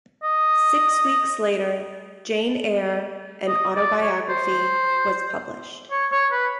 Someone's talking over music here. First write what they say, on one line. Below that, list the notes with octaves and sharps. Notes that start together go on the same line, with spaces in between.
Six weeks later "Jane Eyre: An Autobiography" was published.
D#5
D#5
D5
C#5
C5
C#5
C#5
B4